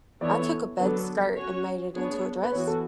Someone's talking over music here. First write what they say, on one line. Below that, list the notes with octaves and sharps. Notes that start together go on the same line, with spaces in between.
I took a bed skirt and made it into a dress.
E3 B3 E4 A4 C#5 D5
B4
D3 F#3 B3 D4 A4 B4
C#4 F#4 C#5
B3 D4 G#4 C#5
B4
E3 B3 F#4 C#5
A4